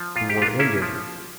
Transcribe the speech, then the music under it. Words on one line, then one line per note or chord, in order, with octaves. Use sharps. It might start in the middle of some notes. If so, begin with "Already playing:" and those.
The war ended.
Already playing: F3
A#2 F4
G4
A#2 D4 F4
A#3 C#4 E4
F3